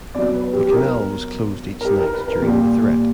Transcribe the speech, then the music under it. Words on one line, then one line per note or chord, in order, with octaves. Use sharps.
The canal was closed each night during the threat.
B2 F#3 D5
B4
G4
G4
A#4
A#4
G4
A#4
B4
A#4
A#2 G3 G4